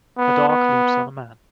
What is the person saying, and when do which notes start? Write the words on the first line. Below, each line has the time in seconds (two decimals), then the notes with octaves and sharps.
A dog leaps on a man.
0.17 B3
0.48 B3